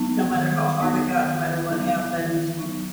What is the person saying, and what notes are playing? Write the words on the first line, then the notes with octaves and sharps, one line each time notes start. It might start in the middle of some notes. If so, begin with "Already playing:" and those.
no matter how hard it got, no matter what happened,
Already playing: F#3 B3 D#4
D#3
F#3 B3 D#4
D#3
F#3 B3 D#4
D#3
F#3 B3 D#4